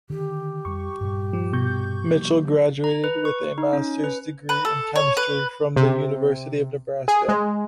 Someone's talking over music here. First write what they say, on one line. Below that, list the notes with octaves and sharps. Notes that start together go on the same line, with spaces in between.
Mitchell graduated with a Master's degree in Chemistry from the University of Nebraska.
D3 D#3 G4
F2 G3 C#6
G2 A#2 G3
F3
B2 C#6 G6
E3 F#3 A#3
A#5
B4
C#6
D#4
C#4
B4
B4
A4
C#5
B4
C3
G#4
G#3